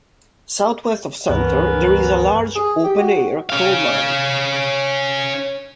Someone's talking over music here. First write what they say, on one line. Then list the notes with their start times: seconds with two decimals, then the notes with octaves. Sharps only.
Southwest of Center, there is a large open air coal mine.
1.29 C#2 G2 E3 B3 C#4 A#4
2.56 G#4
2.84 G4
2.98 F#4
3.50 C#4 F5